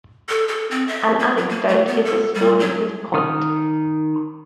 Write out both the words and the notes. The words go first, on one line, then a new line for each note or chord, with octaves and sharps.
An anecdote is a story with a point.
A4
A4
C4
E5
A#3
F#3
A#3
A3
B3
A4
G3
F#3
D#3 D#6 F6